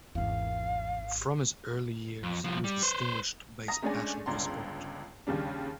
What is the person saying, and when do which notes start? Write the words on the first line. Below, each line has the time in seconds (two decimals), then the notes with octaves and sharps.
From his early years he was distinguished by his passion for sport.
0.15 G#1 E2 C#4 F5
2.23 F2
2.44 C2 F3
2.64 G3
2.83 B4 C5
3.68 A#5 D#6 A#6
3.82 G#3 A3 C#4 D4 D5 G#5
4.26 G1 C#2 D4 A#5 C6
5.27 D#2 C#3 G3 D4